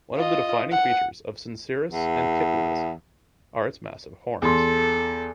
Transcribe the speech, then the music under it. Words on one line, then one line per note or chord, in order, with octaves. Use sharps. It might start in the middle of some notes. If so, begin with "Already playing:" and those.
One of the defining features of "Syncerus antiquus" are its massive horns.
F4 D#5
F#5
E2
E2 A4 C6